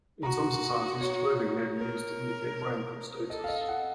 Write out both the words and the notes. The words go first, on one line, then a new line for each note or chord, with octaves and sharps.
In some societies, clothing may be used to indicate rank or status.
F#4 A#5
C#5
A#4
A4 D#5
F5
D#5
F#5